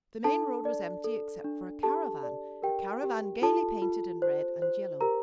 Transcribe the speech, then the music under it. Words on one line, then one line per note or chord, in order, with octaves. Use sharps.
The main road was empty except for a caravan--a caravan gaily painted in red and yellow.
D4 A4 A5
D5
A4
D4
G4 A4 A5
D5
G4 A#4 G5
G4
F4 A4 A5
F4
C5
C5
G4 A#4 A#5